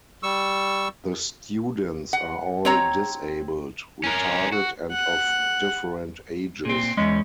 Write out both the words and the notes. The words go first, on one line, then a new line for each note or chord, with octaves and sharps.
The students are all disabled, retarded and of different ages.
G3 C#6 E6
F#5
C4 C#5 A#5
C#4 A#4
F#4
F#5
A#2 C4
E2 G#3 C#4